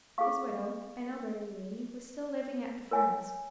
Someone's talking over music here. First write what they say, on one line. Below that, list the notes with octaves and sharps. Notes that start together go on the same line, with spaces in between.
His widow, an elderly lady, was still living at the Ferns.
G#4 F5 C#6
A#4 C#5 G#5